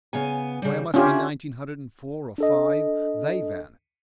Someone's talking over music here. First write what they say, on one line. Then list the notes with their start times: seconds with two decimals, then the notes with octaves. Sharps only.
Why, it must be nineteen hundred and four, or five, THEY vanished!
0.13 C#3 B3 G#5
0.62 C#3 G3
0.94 D3 C#4 D4 E4 F4 G4
2.38 D4 A4 D#5